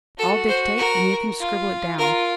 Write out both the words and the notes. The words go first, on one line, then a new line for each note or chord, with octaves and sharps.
I’ll dictate, and you can scribble it down.
F#4 A4
C5
A#4
F4
F4 A#4